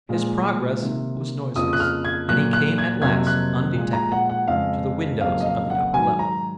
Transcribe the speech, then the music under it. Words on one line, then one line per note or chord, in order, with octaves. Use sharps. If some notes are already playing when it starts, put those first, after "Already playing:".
His progress was noiseless and he came at last, undetected, to the windows of the upper level.
A#2 F3 G#3
C3 D#3 A#3
F2 C#3 F3 A#3 D#6
F#6
F6
G#6
A#2 F#3 A#3 F#6
F#6
G#6
F2 C3 F#3 A#3 G#6
F#6
A#2 F3 G#3
A#5
F#5
F#5
F2 C#3 G#3 F5
F2 C#3 F#3 A#3 F5
D#5
F5
F#5
G#2 D#3 F#3 G#5
A#5